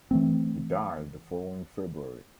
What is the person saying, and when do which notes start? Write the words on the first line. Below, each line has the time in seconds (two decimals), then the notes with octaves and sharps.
He died the following February.
0.11 E3 A3 C4